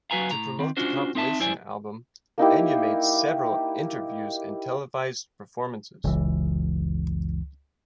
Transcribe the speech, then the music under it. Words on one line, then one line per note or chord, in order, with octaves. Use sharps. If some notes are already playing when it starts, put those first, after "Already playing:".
To promote the compilation album, Enya made several interviews and televised performances.
F#3 F#4 B4 F5 G#5 A#5
A2 A#5
D#3 C4
C#4 D4 F4 F#4 C5
C4 D#4 E5 A5
F#2 E4 C5 D5 G#5
A#3 D#4 E4 G4
F#1 C#2 E3